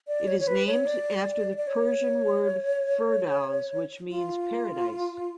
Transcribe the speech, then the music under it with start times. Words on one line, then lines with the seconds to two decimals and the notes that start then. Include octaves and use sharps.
It is named after the Persian word "Firdows", which means "paradise".
0.08 D5
0.28 C#5
0.40 C#5
0.47 B4
0.67 C#5
0.87 D5
1.58 D5
1.67 C#5
4.09 F4